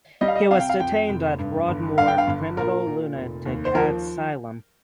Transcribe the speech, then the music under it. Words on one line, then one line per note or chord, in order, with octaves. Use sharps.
He was detained at Broadmoor Criminal Lunatic Asylum.
G3 D#5
F5
D#5
C3 F5
G5
F5
F2 G5
F1
G2
G1
G2 F5
G5
F5
G1
A#2 A#4
A#2
F1
D#2
C5
F3 A#4